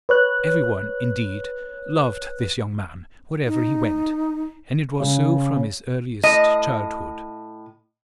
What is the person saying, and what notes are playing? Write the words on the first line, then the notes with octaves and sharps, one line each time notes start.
Every one, indeed, loved this young man wherever he went, and it was so from his earliest childhood.
B4 C#5 F#6
D#4
C#3
A2 D#5